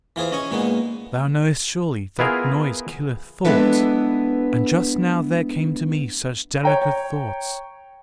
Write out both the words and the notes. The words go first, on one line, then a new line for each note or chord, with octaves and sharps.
Thou knowest surely that noise killeth thought,--and just now there came to me such delicate thoughts.
E3 F4 G#4 C5
C#4 D#5 G#5 C#6
A#2 G#3 B3 D#4
B3 E4 F4 G#4 A#4
G#3 B3 D4 E4 A4 B4
C#5 G5 A#5